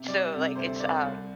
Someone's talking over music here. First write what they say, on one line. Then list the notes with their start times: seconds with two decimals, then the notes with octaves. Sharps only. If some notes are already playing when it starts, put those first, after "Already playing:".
So like it's, um,
Already playing: C3
0.08 G3 D5
0.32 C3
0.55 D2 C5
0.79 C3 D5
1.03 C2